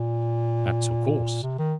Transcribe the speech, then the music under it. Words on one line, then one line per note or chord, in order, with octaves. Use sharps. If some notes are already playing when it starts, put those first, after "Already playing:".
That's of course.
Already playing: A#2
C3
D#3